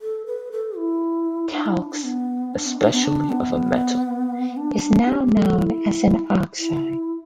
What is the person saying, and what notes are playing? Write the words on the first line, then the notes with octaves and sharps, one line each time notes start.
Calx, especially of a metal, is now known as an oxide.
A4
B4
A4
E4
D4
E4
D4
D4
B3
D4
B3
D4
B3
D4
B3
D4
G4
A4
E4
E4